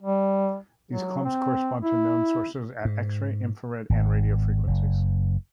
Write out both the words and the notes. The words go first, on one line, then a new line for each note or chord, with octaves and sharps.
These clumps correspond to known sources at X-ray, infrared, and radio frequencies.
G3
F#3
C4
E4
G#2
G#1
F#1